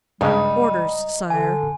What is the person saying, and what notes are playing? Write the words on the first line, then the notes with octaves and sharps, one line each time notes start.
"Orders, Sire."
G2 C#3 G3 G#3 D#4
D3 G#5